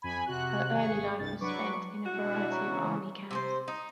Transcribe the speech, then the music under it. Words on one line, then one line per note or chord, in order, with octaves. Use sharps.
Her early life was spent in a variety of Army camps.
F2 G#5 B5
C3 F#4 F#6
G#1 G#4 C#6
C2 G2 A6
F#3 D4 B4 C#6 D6
B2 D4 E4 F#4
C#3 E3 C#5 A#5 C#6
C3 G#4 C5
D#4